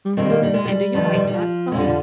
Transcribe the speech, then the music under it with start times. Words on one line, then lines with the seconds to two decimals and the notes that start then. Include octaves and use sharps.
Mhm, and do you like hot sauce?
0.17 G2 D#3 C4
0.30 A#3
0.43 G3
0.54 G#3
0.65 G3
0.94 G2 D#3 F3
1.14 G3
1.27 G3
1.33 F3
1.72 F2 G#3
1.75 D3 G3
1.87 F3